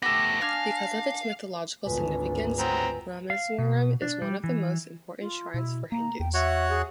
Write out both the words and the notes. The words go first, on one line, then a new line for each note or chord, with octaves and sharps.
Because of its mythological significance, Rameswaram is one of the most important shrines for Hindus.
A3 B3 G4 A4 A#6
D4 F5 G#5 F6
G#1 D2 F4 B4 G#5
B3 C4 A#5
F5
B2
D4
G3
E3
F4
B2 E4
A#3 A#5
E2 G5
F#4 C#5 E5 F#5
G#4